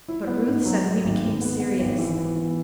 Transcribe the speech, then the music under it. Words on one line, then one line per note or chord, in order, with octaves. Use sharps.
But Ruth suddenly became serious.
E4
B3
G#2
F#3
F#3
G#1
G#1
B3
B3
G#1
E3
B3
E3